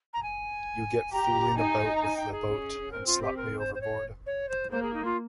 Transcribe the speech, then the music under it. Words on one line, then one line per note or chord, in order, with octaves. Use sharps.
You get fooling about with the boat, and slop me overboard.
A#5
G#5
G4 A#5
D#4 G#5
A#5
G#5
G5
G#4
C#4
C4 A#4
F4
G4
A#4
C5
C5
C#5
C#5
C5
A#3 C5
G#4
D#4
F4